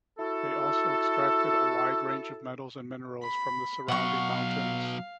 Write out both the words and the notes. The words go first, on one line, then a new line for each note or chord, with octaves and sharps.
They also extracted a wide range of metals and minerals from the surrounding mountains.
E4 F#4 A4
B5
B2 F#3 F5 F#5 C#6